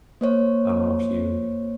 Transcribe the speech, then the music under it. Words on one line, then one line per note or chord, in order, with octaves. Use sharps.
I don't know if you
A#3 C5 C#5